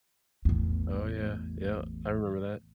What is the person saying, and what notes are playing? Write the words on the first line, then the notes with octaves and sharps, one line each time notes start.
Oh, yeah, yep, I remember that.
A1 E2